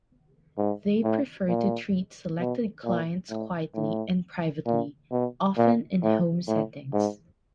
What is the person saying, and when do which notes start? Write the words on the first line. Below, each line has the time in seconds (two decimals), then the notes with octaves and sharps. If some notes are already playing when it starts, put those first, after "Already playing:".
They prefer to treat selected clients quietly and privately, often in home settings.
0.58 G#2
1.03 A2
1.48 A#2
2.39 B2
2.85 A#2
3.30 A2
3.75 A2
4.67 A#2
5.12 B2
5.57 A#2
6.02 A2
6.48 A2
6.93 G#2